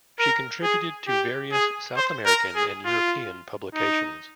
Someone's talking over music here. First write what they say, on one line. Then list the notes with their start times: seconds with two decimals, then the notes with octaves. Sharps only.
She contributed to various South American and European publications.
0.19 A#4
0.63 G#4
1.08 G4
1.52 G#4
1.96 C5
2.26 A#4
2.56 G#4
2.85 F4
3.75 D#4